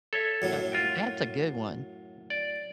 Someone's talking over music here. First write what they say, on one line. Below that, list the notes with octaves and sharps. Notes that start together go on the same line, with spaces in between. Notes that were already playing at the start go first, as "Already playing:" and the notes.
No that's a good one.
A4 C#5 E5
F#2 A2 F#3
F4 F#4 G5
D5